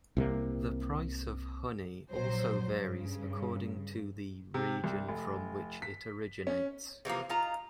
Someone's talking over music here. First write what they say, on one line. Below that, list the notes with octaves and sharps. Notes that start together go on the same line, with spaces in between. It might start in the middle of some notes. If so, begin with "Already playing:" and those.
The price of honey also varies according to the region from which it originates.
C2 C3 A#3
A#1 F#3 C5
G2 C#3
C3
C2
F1
B6
C#4
C3 E3 F3 A#3
D#4 F4 A#5